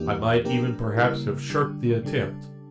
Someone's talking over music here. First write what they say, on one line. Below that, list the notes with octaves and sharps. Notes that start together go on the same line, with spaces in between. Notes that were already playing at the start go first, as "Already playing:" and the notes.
I might even perhaps have shirked the attempt.
Already playing: E2 E3 A#3 D4 G4
F3 A#3 D4 G4 A#4
C#3 G3 A#3 E4
D3 G3 D4
C#3 G3 D4 A4